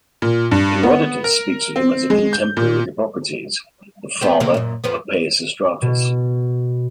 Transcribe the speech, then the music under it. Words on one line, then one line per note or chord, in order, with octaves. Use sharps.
Herodotus speaks of him as contemporary with Hippocrates, the father of Peisistratus.
A#2
G2
B3
A#4
C4
G#3
G6
A#2
B3 C4 G4
C3 E3 A#3
F#2 A#2
F2 F3 B3
B2